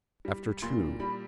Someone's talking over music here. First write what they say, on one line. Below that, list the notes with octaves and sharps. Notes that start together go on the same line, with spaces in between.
After two.
G3
A#2 C6
G3 B5